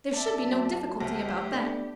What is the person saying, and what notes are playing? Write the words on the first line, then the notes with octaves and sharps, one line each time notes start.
There should be no difficulty about that.
D5 E5 A5
F#2
D2 G4
A3 B3 D4